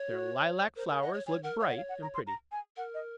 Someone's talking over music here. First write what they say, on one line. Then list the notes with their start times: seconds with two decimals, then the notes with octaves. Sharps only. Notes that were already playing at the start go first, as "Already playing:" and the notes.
Their lilac flowers look bright and pretty.
Already playing: C#5
0.10 F#4
0.76 A#4 C5
0.88 A#4 G#5
1.02 D#5 F#5
1.14 C#5
1.27 C#5 G#5
1.43 A#4 F#5
1.60 C#5 F5
1.68 F#5
1.77 F5
1.89 F#5
2.02 A#5
2.14 C6
2.27 A#5
2.52 G#5
2.77 A#4 F#5
2.94 D#5